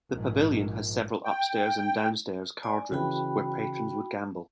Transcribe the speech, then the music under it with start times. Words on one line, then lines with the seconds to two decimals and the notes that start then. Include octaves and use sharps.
The Pavilion had several upstairs and downstairs card rooms where patrons would gamble.
0.11 A#1 G#2
1.25 G5
2.63 D5 G#5
2.92 C#3 E3 F#4 G5 B5